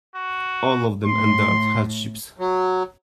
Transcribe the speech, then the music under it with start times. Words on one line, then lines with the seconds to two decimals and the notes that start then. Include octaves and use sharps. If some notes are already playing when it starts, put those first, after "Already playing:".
All of them endured hardships.
0.15 F#4
1.05 A2 C6
2.39 F#3